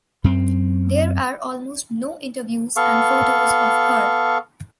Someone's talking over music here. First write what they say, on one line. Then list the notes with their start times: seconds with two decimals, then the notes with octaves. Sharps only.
There are almost no interviews and photos of her.
0.24 F#2 C4
2.76 B3 A4 F5 C#6